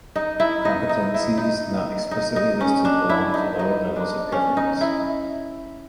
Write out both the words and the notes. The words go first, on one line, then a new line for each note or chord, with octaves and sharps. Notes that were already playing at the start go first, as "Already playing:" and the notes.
Competences not explicitly listed belong to lower levels of governance.
D#4
E4
D#4
D#4
E4
D#4
D#4
D#4
C#4
D4
E4
D#4
D#4
D4
C#4
D#4
E4